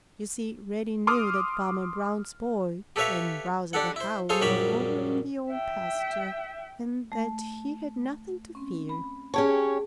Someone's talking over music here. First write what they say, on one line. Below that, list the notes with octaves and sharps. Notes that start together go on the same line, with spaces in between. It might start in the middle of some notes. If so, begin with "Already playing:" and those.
You see, Reddy knew that Farmer Brown's boy and Bowser the Hound were over in the Old Pasture, and that he had nothing to fear.
C6 D6 D#6 F6
G4 A4 B4 C#5 E5 F5
D4 G4 A4 F#5
E4 C5
G#4 A4 C5 C#5 F5
A#1 F#2 G3 C#5 D5 B5
E5 G5
A3
C4 C#4
B5
C#4 G4 G#4 C#5 G5 A5